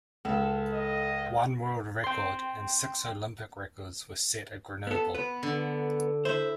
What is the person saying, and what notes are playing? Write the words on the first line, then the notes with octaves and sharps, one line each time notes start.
One world record and six Olympic records were set at Grenoble.
C#2 A4
D#5
G5 C6
B3 A4
B3 B4
D3
E4 C5 E5